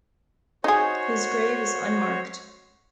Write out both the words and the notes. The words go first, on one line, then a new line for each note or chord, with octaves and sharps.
His grave is unmarked.
D#4 F#4 G#4 C5 C#5